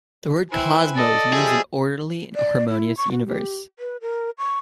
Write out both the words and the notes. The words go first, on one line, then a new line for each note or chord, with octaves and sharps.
The word "cosmos" means an orderly and harmonious universe.
E4 B4 C5 G5 G#5
A4 D5 D#5
F3 G3 G#4 E5
D5
E4
C#6
F#4
G4
B4
A#4
C#6